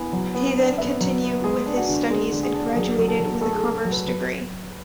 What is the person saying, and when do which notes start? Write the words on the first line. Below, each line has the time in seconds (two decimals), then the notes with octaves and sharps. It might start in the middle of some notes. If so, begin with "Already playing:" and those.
He then continued with his studies and graduated with a Commerce degree.
Already playing: B3 E4 G#5
0.13 F#3
0.35 B3
0.57 D4
0.78 B3 E5
1.00 F#3
1.23 B3
1.44 G#3 G#4
1.66 D4
1.77 F#4
1.89 D3
2.10 G#3 G#4
2.32 D3
2.43 G#4
2.54 D4
2.76 F#3 G#4
2.98 F#3
3.08 A4
3.20 F#3
3.41 A3 A4
3.53 G#4
3.58 A4
3.63 A3
3.85 F#3
3.91 B4
4.07 F#3 B4